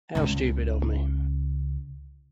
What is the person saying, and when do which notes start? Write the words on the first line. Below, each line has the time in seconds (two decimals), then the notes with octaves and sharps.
How stupid of me!
0.15 C#2 C#3